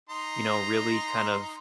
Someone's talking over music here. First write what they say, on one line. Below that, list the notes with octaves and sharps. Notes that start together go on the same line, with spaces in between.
you know, really kind of,
D#4 A#5 C6